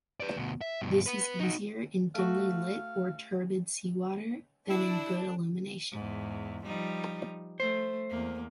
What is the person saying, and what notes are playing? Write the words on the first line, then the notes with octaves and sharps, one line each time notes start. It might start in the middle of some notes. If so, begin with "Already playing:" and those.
This is easier in dimly-lit or turbid seawater than in good illumination.
B4 D5
D2 B2
E5
G2 B2
B3 B4
D#4 F#4
A3 F#4 F5
D4 E4
E2 G#2
F3 G3 D#4
A3 C5
E2 A#3